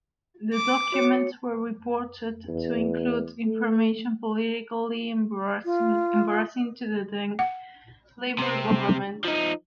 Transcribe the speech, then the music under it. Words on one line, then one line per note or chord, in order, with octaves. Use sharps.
The documents were reported to include information politically embarrassing to the then-Labour Government.
D6
F#4 C#5 C#7
E2
A3
F4
F#5
C3 C4
F3 D#4